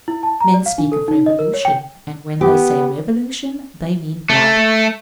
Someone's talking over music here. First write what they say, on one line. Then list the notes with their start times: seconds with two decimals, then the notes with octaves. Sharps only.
Men speak of revolution; and when they say revolution they mean blood.
0.08 E4
0.23 A5
0.40 A#5
0.54 D5
0.66 F5
0.78 D4
0.92 A4
1.08 D#4
1.26 D#5
1.39 A#4
1.54 C#5
1.65 G5
2.41 B3 G4
4.29 A3